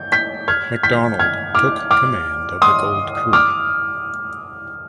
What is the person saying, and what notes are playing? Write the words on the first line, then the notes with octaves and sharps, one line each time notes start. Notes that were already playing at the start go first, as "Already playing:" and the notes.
McDonald took command of the Gold Crew.
Already playing: G6
G6 B6
F6 G#6
G6 B6
F6 G#6
D6 F6
D6 F6
C6 D#6
D6 F6